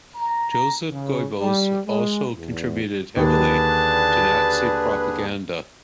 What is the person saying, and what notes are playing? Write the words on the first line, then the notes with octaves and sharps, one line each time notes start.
Joseph Goebbels also contributed heavily to Nazi propaganda.
A#5
C#3
G3
G#3
E2
D#2 D3 D#3 D4 G#4 B4 A5